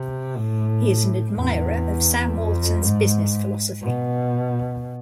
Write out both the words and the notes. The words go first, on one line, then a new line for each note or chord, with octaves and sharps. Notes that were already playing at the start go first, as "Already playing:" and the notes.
He is an admirer of Sam Walton's business philosophy.
Already playing: C3
A2
E2
F2
G#2
B2